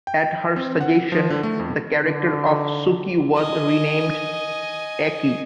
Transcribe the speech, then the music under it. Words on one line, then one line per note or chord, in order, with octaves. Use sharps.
At her suggestion, the character of Suki was renamed Aki.
G5
C4
F#5
F3
D3
A3
F2
D3
D#5 G#5